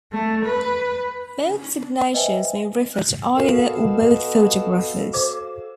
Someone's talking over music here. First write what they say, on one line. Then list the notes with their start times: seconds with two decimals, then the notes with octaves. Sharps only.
Both signatures may refer to either or both photographers.
0.12 A3
0.45 B4
2.13 B4 C5 D#5 E5 G5 G#5
3.36 B2 F#4 A4 A#4 F5 E7
5.13 C5 D6